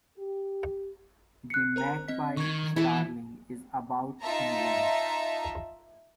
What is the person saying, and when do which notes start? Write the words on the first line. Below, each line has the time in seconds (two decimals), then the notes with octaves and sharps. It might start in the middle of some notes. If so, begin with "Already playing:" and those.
The magpie starling is about in length.
0.17 G4
1.50 F#6 C7 C#7
1.76 A#4 C5 A#5
2.08 C4 D#5 B6
2.37 D#3 C#6 G#6
2.76 E3 E4 A4
4.21 D#4 F4 E5 A5 A#5